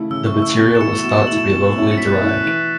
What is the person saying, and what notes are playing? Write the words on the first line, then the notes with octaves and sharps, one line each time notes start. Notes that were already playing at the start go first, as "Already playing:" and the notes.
The material was thought to be locally derived.
Already playing: C#3 A3 E4
C#3 E6
C#6
A3 E4
E6
B2 A6
E7
A3 E4 C#7
B2 E7
E7
A3 E4 F#7
E7
B2
A3 C#4 E4
C#7
B2 B6
F#6
A6
A3 C#4 E4
F#6
E3 F#6